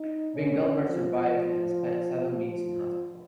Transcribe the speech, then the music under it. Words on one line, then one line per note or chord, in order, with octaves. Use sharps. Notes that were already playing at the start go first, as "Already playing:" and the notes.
Ben Gimbert survived and spent seven weeks in hospital.
Already playing: D#4
C#4
F3
F3